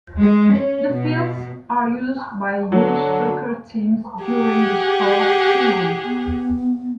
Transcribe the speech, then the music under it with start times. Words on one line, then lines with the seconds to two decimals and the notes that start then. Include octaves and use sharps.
The fields are used by youth soccer teams during the sport seasons.
0.19 G#3
0.54 C#4
0.93 B2
2.72 D3 F#3
4.24 G4 G#4 F#5
6.05 B3